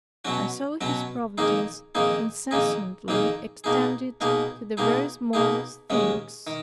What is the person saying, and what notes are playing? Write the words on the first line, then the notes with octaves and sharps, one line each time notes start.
I saw his providence incessantly extended to the very smallest things.
B2 F#3 C#4 F#4
B2 F#3 C#4 F#4
F2 D#3 A#3 D#4 G#4
F2 D#3 A#3 D#4 G#4
F2 D#3 A#3 D#4 G#4
F2 D#3 A#3 D#4 G#4
B2 A#3 D#4 G#4
B2 A#3 D#4 G#4
B2 A#3 D#4 G#4
B2 A#3 D#4 G#4
D#2 D#3 G#3 C#4
D#3